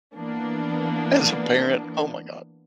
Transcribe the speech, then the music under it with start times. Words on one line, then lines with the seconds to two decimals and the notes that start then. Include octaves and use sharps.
As a parent, oh my god.
0.15 E3 A#3 B3 D4